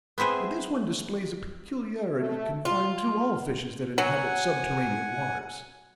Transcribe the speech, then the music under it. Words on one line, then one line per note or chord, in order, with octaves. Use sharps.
But this one displays a peculiarity confined to all fishes that inhabit subterranean waters.
B3 C4 E4 G#4 C5
A3
F4
F#3 F#5 G#5